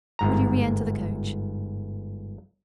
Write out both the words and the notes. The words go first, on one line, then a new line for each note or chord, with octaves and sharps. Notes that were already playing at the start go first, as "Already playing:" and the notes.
Will you re-enter the coach?
G1 G#2 A#5